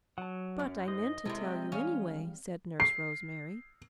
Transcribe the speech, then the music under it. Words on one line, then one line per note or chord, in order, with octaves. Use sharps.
"But I meant to tell you anyway," said Nurse Rosemary.
F#3 F#5 A5
F#2 C#4
D#4 C5 D#5
C3 G3 G#3 C4 E4 A4
E5 G5
E3 G3 G#3 C#4 F5
C7